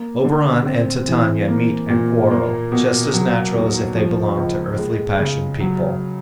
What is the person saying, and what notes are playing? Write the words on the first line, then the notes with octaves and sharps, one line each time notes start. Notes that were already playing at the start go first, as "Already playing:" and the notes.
Oberon and Titania meet and quarrel, just as natural as if they belonged to earthly passion people.
Already playing: A#3
D3
C4
E3
A#3
A#2
A#3
B2
F#3
D#2
F3
C#2
G#3
C#3
F#3